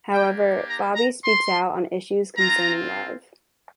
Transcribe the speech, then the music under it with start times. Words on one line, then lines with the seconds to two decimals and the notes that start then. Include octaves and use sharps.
However, Bobby speaks out on issues concerning love.
0.10 A#3 D4 G4 G5
0.67 A#5
0.96 A#5
1.24 C6
2.37 C4 F4 A#5